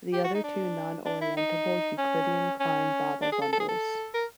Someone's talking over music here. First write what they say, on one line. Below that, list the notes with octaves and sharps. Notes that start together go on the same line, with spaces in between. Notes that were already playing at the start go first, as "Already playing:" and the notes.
The other two non-orientable Euclidean Klein bottle bundles.
G4
F#4
D#4
D4
D4
E4
D#4
C#4
C#4
D4
G#4
A4
A4
G#4
A4
A#4